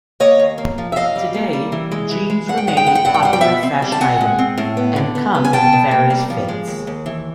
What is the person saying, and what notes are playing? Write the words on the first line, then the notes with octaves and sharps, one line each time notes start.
Today, jeans remain a popular fashion item and come in various fits.
A#3 C#5 D#5
D#2
A#3
F3
E5
F#2 D#5 F5
G3
A#3
G3
E3
G#3
E3
G#3
G2 F#5
G5
G#3 F#5
G5
G2 F#5
G5
G2 F#5
G5
G3 F#5
G5
B2 E5 F#5
C4
G3
A5
C4 F#5 G#5
G#3
C4
A2
B3
D3
B3
B3
G#5
B2 G5 A5
B2
A#3
G3
F3
G#3
D#2
D#2
E3